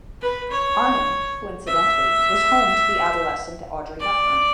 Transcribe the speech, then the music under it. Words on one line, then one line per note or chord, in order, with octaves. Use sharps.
Arnhem, coincidentally, was home to the adolescent Audrey Hepburn.
B4
C#5
E5
D5